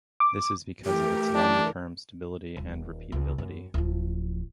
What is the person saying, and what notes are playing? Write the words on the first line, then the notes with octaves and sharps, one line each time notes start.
This is because of its long-term stability and repeatability.
D6
E3 A3 G4 A#4
D4
D#1
C#2
F#2
D1 F3